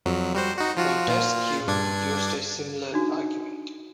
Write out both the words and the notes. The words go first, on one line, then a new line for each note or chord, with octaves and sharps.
Montesquieu used a similar argument.
F2 F#3
G3 F#4 C5
D#4 F#4
F3 F4 F#4
A#2 F4
G2 D4 G#6
D4 D#4 F#4